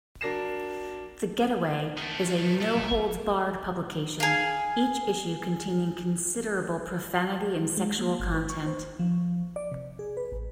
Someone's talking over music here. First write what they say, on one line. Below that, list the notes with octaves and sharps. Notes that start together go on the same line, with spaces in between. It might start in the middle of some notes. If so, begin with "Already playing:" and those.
The "Getaway" is a no-holds-barred publication, each issue containing considerable profanity and sexual content.
F#3 D4 A#4 A#6 C7 E7
D#3 A3
A3 E4
G#4 F5
G#3
A#3
G1
B4
C#6
C5
F3
D5
C3
G#4
B4
A1